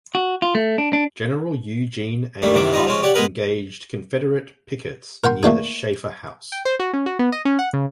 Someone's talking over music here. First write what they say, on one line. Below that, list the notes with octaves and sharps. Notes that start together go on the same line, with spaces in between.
General Eugene A. Carr engaged Confederate pickets near the Shaifer House.
F#4
F4
A3
D4
D4
D#2 G3 A3 A#3
F#2 C3 D#3 E3 D6
F3 G3 C4 D#4 D#5
F3 G#3 C4 C#4
G4 C#5 D5 F#5
G#3 B3 G#4 A#4 B4
A#4 F#5 G5 C6
A3 A#3 D4 G#4
G5
C5
F#4
C#4
F#4
B3
D#5
C#4
F#5
C#3